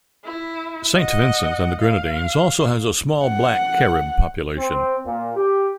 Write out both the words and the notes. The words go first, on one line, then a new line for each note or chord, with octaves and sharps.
Saint Vincent and the Grenadines also has a small Black Carib population.
E4
D#5 F#5
F5
F#5
C4
A#2
G4